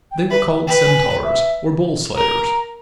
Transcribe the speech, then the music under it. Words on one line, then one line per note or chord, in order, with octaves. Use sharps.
They were called Centaurs, or Bull-Slayers.
G5
B4 E5
E5
B4 G5
G#5
G#5
G5
E5
A#4 A#5